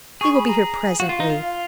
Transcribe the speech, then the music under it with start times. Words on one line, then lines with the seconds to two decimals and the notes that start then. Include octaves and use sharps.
He will be here presently.
0.21 G#4 C#6
0.35 B5
0.48 A#5
1.00 F#4 F5
1.09 F4
1.20 D#4
1.30 F4